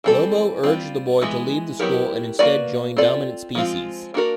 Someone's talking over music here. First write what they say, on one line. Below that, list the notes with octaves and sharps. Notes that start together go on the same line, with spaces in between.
Lobo urged the boy to leave the school and instead join Dominant Species.
E3 G3 C4 E4 A4
G3 C4 F4
E3 G#3 B3
F#3 B3 E4 G4 A#4
A#3 C#4 F#4 B4 D5
C4 F4 A4 D5
F3 G#3 C4 F4
A#3 D4 F#4 A#4